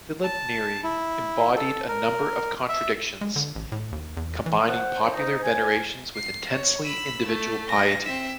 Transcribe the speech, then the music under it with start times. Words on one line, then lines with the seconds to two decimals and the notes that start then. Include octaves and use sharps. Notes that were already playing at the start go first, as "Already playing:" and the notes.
Philip Neri embodied a number of contradictions, combining popular venerations with intensely individual piety.
0.24 A5
0.84 E4
1.56 A4
1.88 A#4
2.69 E5
3.21 G#3
3.36 D3
3.55 A1
3.72 A2
3.92 D#2
4.17 E2
4.46 E3
4.68 C5 F#5
5.14 D#4
5.43 G#5
6.15 C7
6.52 C#5
6.84 B5 E6
7.27 A3
7.69 A#6
8.05 C4 E5